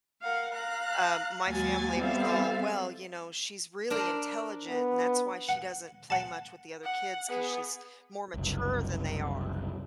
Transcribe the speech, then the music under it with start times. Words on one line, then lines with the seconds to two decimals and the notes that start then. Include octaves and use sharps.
Um, my family was all, "Well, you know, she's really intelligent and that's why she doesn't play much with the other kids 'cause she's more mature than they are."
0.22 A#4 F5 F#5
0.53 F5 A#5 F#6
1.47 D#2 F#3 G#3 A#3 G#5 A6
1.96 G3 B3 C4 A4 E5 F5
3.90 D4 A#4 C5
4.67 B3
5.49 F#5
6.10 F#5 A5
6.83 F#5
7.29 B3 G#4
8.34 F#1 C2